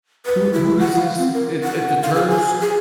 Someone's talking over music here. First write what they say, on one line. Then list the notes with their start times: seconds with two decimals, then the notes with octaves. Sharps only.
Who who does this It it deters,
0.26 B4
0.53 E4
0.79 F#5
0.97 F5
1.18 C4
1.34 A#4
1.64 F#5
2.02 F5
2.15 G#4
2.29 G#5
2.61 G#4